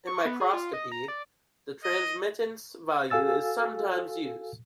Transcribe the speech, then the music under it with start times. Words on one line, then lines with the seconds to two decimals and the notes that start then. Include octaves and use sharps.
In microscopy, the transmittance value is sometimes used.
0.07 C#6
0.25 B3
0.40 G#4
0.53 F4
0.73 D#5
0.92 A#5
1.08 D5
1.84 D#5
3.10 F#4 A4 F5 G#5 E6 A6